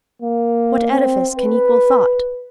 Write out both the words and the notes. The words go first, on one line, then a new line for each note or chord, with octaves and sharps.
What edifice can equal thought?
A#3
C4
B4